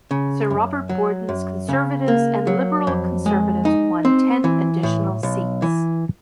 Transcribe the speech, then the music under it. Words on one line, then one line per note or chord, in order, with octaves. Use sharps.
Sir Robert Borden's Conservatives and Liberal-Conservatives won ten additional seats.
C#3
F#2
F#3
F#2
C#3
A#3
F#3
F2
G#3
D#4
C4
E3
A2
B1
E3